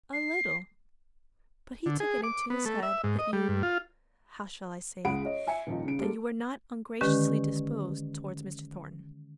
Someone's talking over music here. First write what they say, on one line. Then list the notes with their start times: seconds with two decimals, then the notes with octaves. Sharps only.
'A little; but he took it into his head that you--how shall I say it?--that you were not ungraciously disposed towards Mr. Thornton.
0.13 C7
1.86 D3
2.00 G#4
2.24 D6
2.50 B3
2.66 A3
2.83 E5
3.04 G#2
3.19 D#5
3.33 G3
3.49 G2
3.63 F4
5.04 C#2 G#3 G#4 F#5 B5 D7
5.25 C#5 D#5
5.47 E5 G#5 C#7
5.67 D#1 F3 D#4
5.84 C#3 D7
5.99 G3 G#3 A#3 A4
7.01 D3 D#3 G#3 C#4 G4 B4